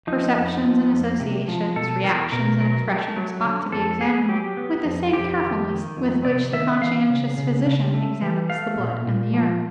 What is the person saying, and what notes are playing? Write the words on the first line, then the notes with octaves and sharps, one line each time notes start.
Perceptions and associations, reactions and expressions ought to be examined with the same carefulness with which the conscientious physician examines the blood and the urine.
F3 D#4
F2
F3
F2
C3
F3
B2 A4
E2 A#4
B2 A#4
F#3 A#4
A3
F#3
D3
F2 A4
B3 G#4
F#3 G4
B3
F2
F2 G4
D#3
D#3
F2
C3 D5
D#3 E5
E3 F5
C#3
C#3
C#3
A3
E3
A3 F5
A#2
A#2
F3